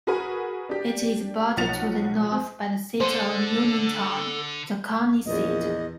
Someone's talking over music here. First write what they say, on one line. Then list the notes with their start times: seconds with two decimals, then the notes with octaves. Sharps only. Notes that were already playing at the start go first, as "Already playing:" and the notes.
It is bordered to the north by the city of Uniontown, the county seat.
0.07 F#4 G#4 A#4 B4 G#5
0.69 D4 G4
1.57 B1 F3 F#5 A6 F7
2.32 C4
3.01 D3 A4 C5
5.26 A#1 E2 D#5